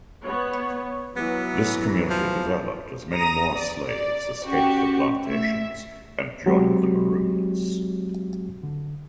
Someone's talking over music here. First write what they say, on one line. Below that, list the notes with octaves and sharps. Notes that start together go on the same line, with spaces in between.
This community developed as many more slaves escaped the plantations and joined the Maroons.
B3 C#5
E3 F#3 B3
F3
A#5 D#6 A#6
D5
D5
C#4 F#4 G4 C#6
A3 E5
F#3 G#3 C4 F#4 G4
D3